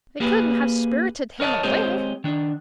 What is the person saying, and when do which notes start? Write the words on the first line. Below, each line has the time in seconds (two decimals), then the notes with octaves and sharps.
"They couldn't have spirited him away."
0.20 A#3 G4 G#4 B4
1.40 A#4 C#5 D#5 F#5 A5
1.63 G#3 C4 G4 C5 C#5 D#5
2.24 D#3 D4